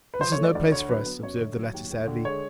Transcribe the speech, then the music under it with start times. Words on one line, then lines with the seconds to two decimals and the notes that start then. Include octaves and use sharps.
'This is no place for us,' observed the latter sadly.
0.14 B4
0.20 F3 C5
0.32 C#5
0.38 A3
0.44 D5
0.55 D2 D5
0.72 D3 C#5
0.89 F#3 B4
1.06 B3
1.22 F#2 C#5
1.40 D3
1.56 F#3
1.73 D#2
1.90 D#2
2.07 D3
2.25 G#3 C#5